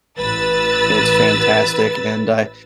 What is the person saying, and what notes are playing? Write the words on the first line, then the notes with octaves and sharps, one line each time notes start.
it's fantastic, and I
A1 B4 E6 A6